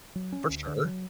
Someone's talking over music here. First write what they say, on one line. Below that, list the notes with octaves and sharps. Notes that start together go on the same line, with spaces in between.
For sure.
F#3
C#4
D2
D3
F#3